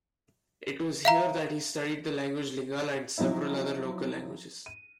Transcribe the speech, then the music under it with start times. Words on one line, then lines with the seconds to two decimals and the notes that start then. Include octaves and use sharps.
It was here that he studied the language Lingala and several other local languages.
1.05 E5 F5 A#5
3.18 F3 F#3 C4 D#4 E4
4.66 D#7